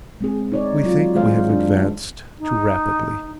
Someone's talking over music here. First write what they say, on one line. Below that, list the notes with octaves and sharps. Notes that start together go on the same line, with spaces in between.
We think we have advanced too rapidly.
G#3 C4 G#4
D#4 C#5 D5
F#3 F4
D#3 G#3 G#4 C5 F5
D4
D#4